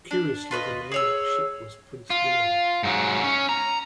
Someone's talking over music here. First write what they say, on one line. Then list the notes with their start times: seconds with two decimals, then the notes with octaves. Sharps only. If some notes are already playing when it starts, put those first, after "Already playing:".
Curiously, the name on the ship was "Prins Willim".
0.11 D4
0.51 F4 B4 C#5 D#5
0.92 G#4 C#5 E6
2.10 F4
2.83 G#2 F#3
3.23 C#4
3.49 A#5